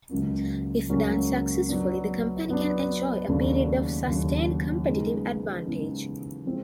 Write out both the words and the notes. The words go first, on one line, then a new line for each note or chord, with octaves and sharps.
If done successfully, the company can enjoy a period of sustained competitive advantage.
C#2 C#3 F#3 A#3 C#4
C#2 C#3 F#3 A#3 C#4
F#3 B3 D4
F#3 B3 D4
D#2 C#3 F#3 A3 D4
D#2 C#3 F#3 A3 D4
C#3 E3 G#3 B3 D#4
C#3 E3 G#3 B3 D#4
F3 G#3 C4 E4